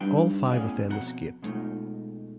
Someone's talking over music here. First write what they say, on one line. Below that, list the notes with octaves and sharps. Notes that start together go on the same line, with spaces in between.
All five of them escaped.
G3 D4 D#4 B4 G5
A2 B3 C#4 G#4 D5 F5
F2 B2 C#4 F#5 A#5
B2 G#3 A3 D#4 F4